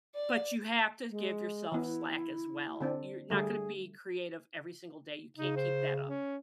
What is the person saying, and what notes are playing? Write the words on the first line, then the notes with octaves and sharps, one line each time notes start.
but you have to give yourself slack as well, you're not gonna be creative every single day, you can't keep that up.
D5
G#3
E3 B3 E4
D3 C4 D4
D3 G3 A3 G#4
C#3 D#4
C5
C#4